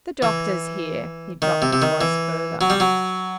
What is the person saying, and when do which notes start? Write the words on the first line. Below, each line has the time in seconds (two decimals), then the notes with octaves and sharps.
"The doctors here." He dropped his voice further.
0.22 E3
1.42 D#3
1.62 C3
1.73 C3
1.82 D#3
2.01 E3
2.61 F#3
2.70 G3
2.80 F#3